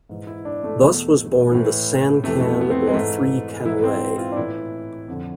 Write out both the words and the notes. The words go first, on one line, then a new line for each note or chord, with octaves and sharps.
Thus was born the "San-Kan" or Three "Kanrei".
G#2 E3
E4
D4
A3
E2 B2
A2 E3
F2 C3 E3 A3
A3
B3
B3
C4
G#3
G#2 E3 A3
G#2 E3 E4
C4
F4
D4
A2 E3 E4
F2 D3